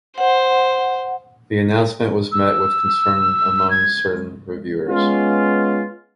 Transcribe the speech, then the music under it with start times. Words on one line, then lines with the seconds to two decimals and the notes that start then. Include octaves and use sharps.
The announcement was met with concern among certain reviewers.
0.18 C5 F#5
2.32 E6
3.70 G#6
4.89 G#3 B3 C#4 F4